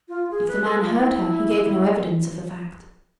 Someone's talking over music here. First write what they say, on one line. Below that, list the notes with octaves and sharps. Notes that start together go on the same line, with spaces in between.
If the man heard her he gave no evidence of the fact.
F4
G#4
B4
A4
F4
E4
E4